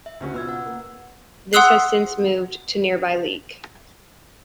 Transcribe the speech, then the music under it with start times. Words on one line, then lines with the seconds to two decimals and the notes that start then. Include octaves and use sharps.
This has since moved to nearby Leek.
0.06 E5
0.20 D2 C#4 F#4
0.34 B2 F4 B4 E6 G#6
0.49 F#5
0.65 A#3
1.53 F#5 C6 D#6 E6 F#6 C7